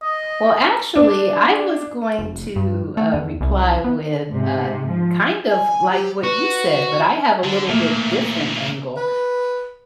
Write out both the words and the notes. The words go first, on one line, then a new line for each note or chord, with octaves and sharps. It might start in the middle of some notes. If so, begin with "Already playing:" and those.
Well, actually, I was going to, uh, reply with, uh, kind of like what you said, but I have a little bit different angle.
D#5
D4
F1
G2
A3
E2
C2
B3
G#2 C3
F3
G#5
G4
F#4 B4
D3
A#2 E3 A3 A#3
B4